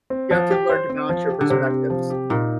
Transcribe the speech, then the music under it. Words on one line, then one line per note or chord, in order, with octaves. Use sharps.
You have to learn to balance your perspectives.
C4
F3
G4
C5
C4
F3
G4
D3
C3 C5
C4
F3
G4
A#2 D#4